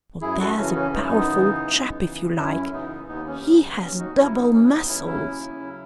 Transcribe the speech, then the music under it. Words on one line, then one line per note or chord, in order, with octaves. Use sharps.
"Now, there's a powerful chap if you like! he has double-muscles!"
F#2 E4 G#4
F#4 A4
C#3 E3 C#4
C#4
F#2 D#4
E4
B3 D#4
C#3 E3
F#2
C#3 E3
F#2 C#4 E4
C#3 E3 B3 D#4
D#2 B3 D#4
C#4
C#3 F#3 B3
B3
D#2 C#4
D#4 F#4
C#3 F#3 C#4 E4
B3 D#4
D#2 C#4
E4
B3 D#4
C#3 F#3 C#4 E4
C#4 E4
D#2
C#3 F#3